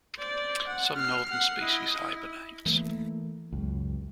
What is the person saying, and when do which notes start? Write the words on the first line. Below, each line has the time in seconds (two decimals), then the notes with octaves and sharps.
Some northern species hibernate.
0.16 C5 D5
0.67 F#5
0.96 F6 C7
1.31 F#5 C7
1.61 E4 D#5
1.97 E4
2.66 E3 A3 A#3
3.52 C#2 F#2